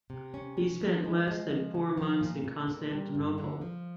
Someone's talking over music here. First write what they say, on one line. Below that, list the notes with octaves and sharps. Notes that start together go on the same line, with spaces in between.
He spent less than four months in Constantinople.
C3
C#4
C#4
F3
G#3
G#3
F3
C#3
F3
A#2
A#2
A#2
G3
G2
D3
F3